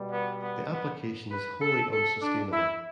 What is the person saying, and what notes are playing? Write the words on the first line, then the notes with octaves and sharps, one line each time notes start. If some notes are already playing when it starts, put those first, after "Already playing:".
The application is wholly unsustainable.
Already playing: B2 G3
B3
B3
B3
B4
A4
A4
D4
E4